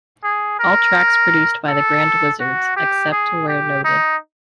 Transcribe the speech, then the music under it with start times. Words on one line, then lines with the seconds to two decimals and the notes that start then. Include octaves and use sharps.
All tracks produced by The Grand Wizzards, except where noted.
0.23 G#4
0.59 A#4
1.68 A4
2.40 F#4
2.76 G4
3.12 G#4
3.48 G4
3.84 D#4